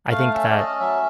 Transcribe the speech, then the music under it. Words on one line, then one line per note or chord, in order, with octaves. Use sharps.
I think that
A3 F5
C#4 E5
D5
C#4 D#5
F#3 E5